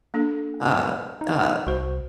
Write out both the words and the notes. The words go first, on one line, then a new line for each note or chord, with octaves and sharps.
uh uh
A#3 D4 A4
D#4
C2 F#4 C5